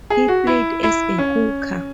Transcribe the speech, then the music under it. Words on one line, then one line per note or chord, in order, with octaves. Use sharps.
He played as a hooker.
G#4
F#4
E4
E4
C#4